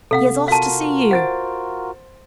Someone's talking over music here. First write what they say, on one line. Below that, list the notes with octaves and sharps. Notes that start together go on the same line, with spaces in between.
He has asked to see you.
C3 A4 F5 F#5
F4 F#4 A#4 F5 A5
C5 F#5 A6 D7